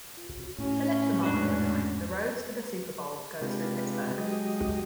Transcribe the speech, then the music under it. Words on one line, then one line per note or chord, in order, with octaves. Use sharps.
Phillips remarked at the time, The road to the Super Bowl goes through Pittsburgh.
A2 C#4
E2 G#2 D4 F#4
C3 G#3 D4 F4 G4 B4
F#3 G#3 G4 D#5